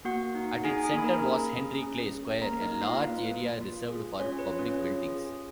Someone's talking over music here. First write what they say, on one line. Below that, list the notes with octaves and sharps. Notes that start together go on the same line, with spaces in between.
At its center was Henry Clay Square, a large area reserved for public buildings.
A#3 F#4 F#5
D#4
D#4 G#4 G#5
G#4 G#5
A#3 B5
A#4 A#5
C#4
G#4
C#4
C#4
A#3 A#4 A#5
D#4 D#5
A#3
F4 F5
A#3 B4
A#3
F4
G#4
C#4 F4 C#5
B4
F4
C#4 C#5
G#4
G#4